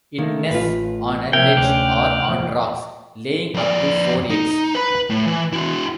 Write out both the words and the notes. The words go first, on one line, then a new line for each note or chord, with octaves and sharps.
It nests on a ledge or on rocks, laying up to four eggs.
D#3 A3 A#3
A1 F4 B4
C3 F3 A#4 E5 G5 F6 G#6
D2 C#4 D6 F6 F#6
E2 F3 G5
F2 D5
D#4
B4 B5
A2
E3
E4 F#4